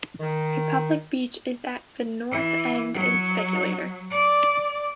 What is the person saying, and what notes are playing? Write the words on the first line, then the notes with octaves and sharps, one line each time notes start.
A public beach is at the north end in Speculator.
D#3
E3
F#3
D5